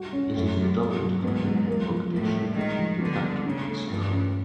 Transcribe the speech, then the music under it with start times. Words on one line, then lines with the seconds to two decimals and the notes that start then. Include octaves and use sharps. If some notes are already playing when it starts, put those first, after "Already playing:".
It is the dominant clan in Mogadishu, the capital of Somalia.
Already playing: G3 F#4
0.13 C#4
0.34 F#2 A3
0.57 F#3
0.79 G2 A#3
1.01 F#3
1.23 G#2 B3
1.45 F#3
1.68 A#3
1.90 F3
2.12 A2 A#3
2.34 G3
2.56 D#3 G#3
2.79 F3
3.01 D3 B3
3.23 G3
3.45 C#3 D4
3.67 A3
3.90 G2 F4
4.11 C#4